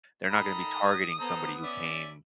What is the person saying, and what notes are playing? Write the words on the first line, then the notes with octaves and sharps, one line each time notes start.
They're not gonna be targeting somebody who came,
D#3 A4 A#5 B5 D#6
B3 A4 C5 A#5
C#4 D5 E5